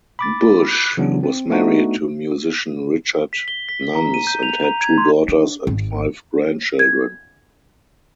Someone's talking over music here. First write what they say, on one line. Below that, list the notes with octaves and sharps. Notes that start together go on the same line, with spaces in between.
Bush was married to musician Richard Nunns and had two daughters and five grandchildren.
B5 D6 A6
C#3 E3 F#3 B3 C#4 D4
C4
A3 B3 D4 D#4 F#4
B6
G7
B6
A#5
D#7
G6
F7
A#5
G#6
C6
D4
G#1
G#6